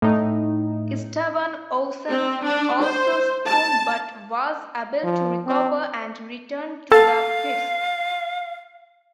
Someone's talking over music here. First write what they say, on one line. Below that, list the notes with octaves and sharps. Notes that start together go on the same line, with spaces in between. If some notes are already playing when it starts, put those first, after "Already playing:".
Esteban Ocon also spun but was able to recover and return to the pits.
A2 D#4
C4
D4
C5
A5
F3
C4
A4 F5 A5 A6